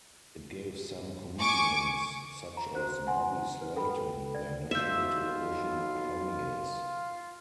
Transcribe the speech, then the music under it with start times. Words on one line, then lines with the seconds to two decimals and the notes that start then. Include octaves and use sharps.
It gave some comedians, such as Bobby Slayton, their national television premieres.
1.40 G#5 C#6 D6
2.57 A#5
2.75 F#4 C5
3.07 F#5 G#5 C6
3.61 B4
3.76 A4 G5 B5
4.35 D5
4.71 B1 F4 E5 E6 G6